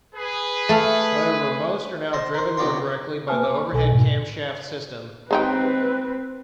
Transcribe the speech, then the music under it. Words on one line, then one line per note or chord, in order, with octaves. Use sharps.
However, most are now driven more directly by the overhead camshaft system.
G#4 B4
A3 A4 F5
C5 D#5 A5
A#4 C5
C3 F#3 B3 D4 F4 C6
A#3 B4 C5 G#5 A5 F6
D6
C#6
B1 B2 A4 G#5
G#2 B2
G#3 C4 D#4 G4 B4